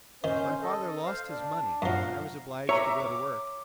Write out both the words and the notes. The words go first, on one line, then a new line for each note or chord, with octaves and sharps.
My father lost his money and I was obliged to go to work.
D#3 C#4 C5
A4 D#5
C5 F5
D4
F#2 F3 F5 F#5 A#5
C#5 E5 A#5 D6
D6